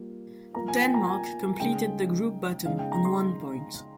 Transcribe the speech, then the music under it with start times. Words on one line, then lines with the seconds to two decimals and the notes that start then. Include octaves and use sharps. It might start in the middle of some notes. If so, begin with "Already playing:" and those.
Denmark completed the group bottom, on one point.
Already playing: G3 A#3 F4
0.54 F3 A#3 F4 A#5
0.68 G#5
0.81 G5
0.94 A#5
1.07 G#5
1.60 C#3 G#3 D#4 G5
2.65 C#3 G#3 D#4 F5
2.79 G5
2.92 A#5
3.05 C6